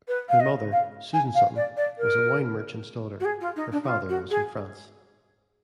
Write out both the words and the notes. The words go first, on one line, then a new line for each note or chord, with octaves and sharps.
Her mother, Susan Sutton, was a wine merchant's daughter; her father was from France.
B4
F5
D#5
F5
G#5
F5
D5
D5
A#4
F#4
G#4
F4
D#4
D4
D#4
F4
F#4
G#4